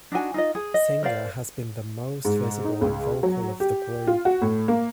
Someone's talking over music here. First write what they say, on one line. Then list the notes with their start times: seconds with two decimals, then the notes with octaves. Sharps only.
Singer has been the most visible and vocal of the group.
0.12 D4 D#4 F#4 G#5
0.34 D#4 F4 D#5
0.55 G#4
0.74 D#5
1.03 A#4 C5 D5 F5
2.25 G#2
2.65 D#4
2.81 C#2
3.23 F#3
3.60 G4
4.07 F4
4.25 F#4
4.42 A2
4.68 A#3